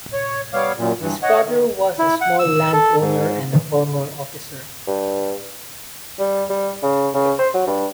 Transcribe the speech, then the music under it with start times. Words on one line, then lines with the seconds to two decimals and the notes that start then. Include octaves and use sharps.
His father was a small landowner and a former officer.
0.13 C#5
0.53 G3 B3 C#5 F5 D6
0.77 F#2 A#2
1.00 G2 E3
1.23 C#5 D#5 F#5
1.44 D#3
1.99 E4
2.21 F#5
2.39 E6
2.73 A4
3.01 G#2
4.87 G2
6.19 G3
6.49 G3
6.83 C#3
7.14 C#3
7.39 C5
7.54 F#3
7.67 G2